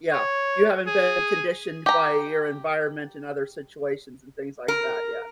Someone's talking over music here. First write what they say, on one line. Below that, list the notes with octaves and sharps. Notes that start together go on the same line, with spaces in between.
Yeah, you haven't been conditioned by your environment and other situations and things like that, yeah.
C#5
G#4
G4 A#5
A#4